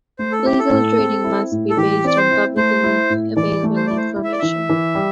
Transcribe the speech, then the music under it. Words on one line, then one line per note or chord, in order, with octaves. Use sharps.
Legal trading must be based on publicly available information.
A3 C5
A4
E4 G4
A4
A2
C4
E4
A2
A4
E3 G4
C4 D5
C5
E4
A3 C5
E4
A2
E3 D5
A3
C5
E4 D5
C5
E4
E5
D5
E3 E5
E3
G3